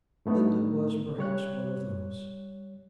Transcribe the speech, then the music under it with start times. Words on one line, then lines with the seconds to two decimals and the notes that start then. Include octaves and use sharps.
Linda was, perhaps, one of those.
0.26 A2 A3 B3 D4 D#4
1.18 G3 C#5 F#6